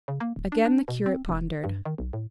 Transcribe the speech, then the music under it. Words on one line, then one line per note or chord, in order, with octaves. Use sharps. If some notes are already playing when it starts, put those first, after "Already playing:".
Again the curate pondered.
C#3
A#3
D1
D4
D4
B2
C4
E1
G2
D#3
B1
A2